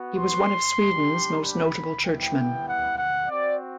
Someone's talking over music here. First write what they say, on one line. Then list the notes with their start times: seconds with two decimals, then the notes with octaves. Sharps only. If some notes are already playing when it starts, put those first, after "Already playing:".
He was one of Sweden's most notable churchmen.
Already playing: B3 F#4
0.18 C6
0.80 G3 D4 G4
1.42 B5
2.04 G3 B3 E4 G5
2.66 F#5
2.97 F#5
3.28 C4 F#4 D5